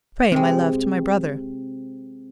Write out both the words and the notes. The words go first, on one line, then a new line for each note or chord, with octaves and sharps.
Pray my love to my brother.
C3 G#3 C4